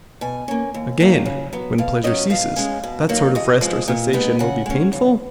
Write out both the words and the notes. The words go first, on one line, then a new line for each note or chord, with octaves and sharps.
Again, when pleasure ceases, that sort of rest or cessation will be painful?
B2 G#5
A#3 C#4
D#2
D#3 F#3 A#3 D#4
C#3
F#3 B3
B2 F5
F#3 C#4 D#5
B2 F5
G#3 C#4
B2
F#3 A#3 D#4
F2 D#5
F3 G#3
A#2
G#3 B3 D#4
C#3 F#5
G#3 C#4
C#3